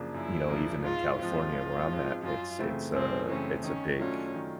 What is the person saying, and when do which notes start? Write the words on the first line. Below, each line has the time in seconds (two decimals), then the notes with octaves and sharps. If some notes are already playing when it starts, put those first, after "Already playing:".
you know, even in California, where I'm at, it's it's a it's a big,
Already playing: F#2 C#3 F3 A#3 D4
0.14 F#2 E4
0.48 C#3 F3 A#3 D4
0.83 G#2 F4
1.19 F3 G#3 C4 F4
1.53 G#2
1.89 F3 G#3 C4
2.23 F#2 F4
2.59 C#3 E3 A3 C4
2.93 F#2 C4
3.29 C#3 E3 A3 C4 C#4
3.63 D#3 C#4
3.98 F#3 A3 C#4 D4 F4
4.34 D#3